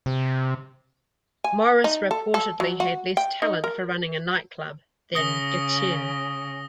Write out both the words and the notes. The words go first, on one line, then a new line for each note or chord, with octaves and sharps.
Maurice reportedly had less talent for running a nightclub than Gatien.
C3
G#5
D#4
A4
A4
F#3
F#4
G5
D#4
A#4
C#3 D#6 A#6 G7